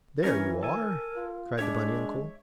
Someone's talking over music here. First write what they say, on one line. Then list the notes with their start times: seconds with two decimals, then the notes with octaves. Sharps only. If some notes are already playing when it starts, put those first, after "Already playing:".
"There you are!" cried the bunny uncle.
0.24 E3 C#4 A#4 C#5
0.63 A4 A#4 G#5
1.16 F4
1.59 G#3 D4 C#5 E5 D6